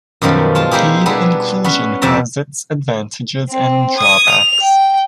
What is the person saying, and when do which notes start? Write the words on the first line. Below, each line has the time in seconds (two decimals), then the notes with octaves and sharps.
Paid inclusion has its advantages and drawbacks.
0.22 F#2 B2 D#3 F3 G3
0.55 G#3 F4 A5
0.71 G#3 D#4 E4 G4 G#4
1.06 G3 B3 D4 E4 G#4
1.64 B3 C#4 B4
2.02 F2 C3 D5 E5 A#5
3.49 C4
3.97 D#6 G#6
4.30 F7
4.61 G5